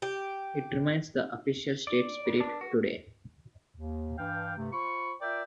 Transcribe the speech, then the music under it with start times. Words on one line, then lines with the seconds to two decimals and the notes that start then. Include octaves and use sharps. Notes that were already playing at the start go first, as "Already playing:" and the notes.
It remains the "Official State Spirit" today.
0.02 G4
1.87 D5
2.40 D4
2.61 F#4
3.76 D#2
4.18 G2 E3 D4 F5 G5
4.57 G2 C3 A3
4.72 F4 C5 B5 C#6
5.21 F4 A#4 D5 E5 G5